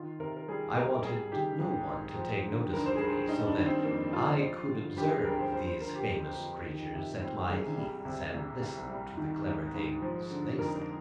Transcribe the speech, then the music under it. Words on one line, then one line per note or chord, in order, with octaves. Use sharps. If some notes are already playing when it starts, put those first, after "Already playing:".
I wanted no one to take notice of me, so that I could observe these famous creatures at my ease and listen to the clever things they said.
Already playing: D#3 F4
C3 A#4
A#4
G3 G#4
C2 A#4
G3 G#4
D#3 G4
G#2
G#2
F3
D3
G2 A#4
C5
G#4
G2 A#4
G3 D#4
D4
D#3
C4
F2 A#3
F2 F4
F3
D3
G2 G4
G#4
G2 A#4
C5
F3 C5
C5
D3 A#4
G4
F2
F2
D#3
C3
G3 C4
C2 G#4
G3
C3
C2
C2
G3
D#3
G#2
G#2
F3
D3
F2 A#4